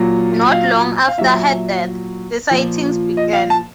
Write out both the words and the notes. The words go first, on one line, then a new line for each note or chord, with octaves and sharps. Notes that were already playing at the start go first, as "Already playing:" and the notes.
Not long after her death, the sightings began.
Already playing: A#2 F#3
F5
F5
A#2 F#3 E5
A#2 F3
D#5
F5
A5